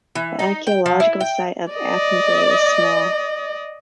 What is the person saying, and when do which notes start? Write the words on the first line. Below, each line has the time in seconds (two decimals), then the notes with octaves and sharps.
The archaeological site of Aphidnae is small.
0.15 E3
0.39 D#4
0.67 G5
0.86 F3
1.00 E4
1.21 G5
1.72 D5 D#5